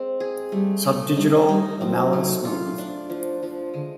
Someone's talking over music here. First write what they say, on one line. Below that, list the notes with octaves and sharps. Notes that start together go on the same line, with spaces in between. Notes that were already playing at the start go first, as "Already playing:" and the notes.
Subdigital lamella smooth.
Already playing: G#3 C4
G#4
G3 A3
A3
G3 D#4
G3 D#4
F#3 C4
A3
F4
D4
F3
F3
D3 G#3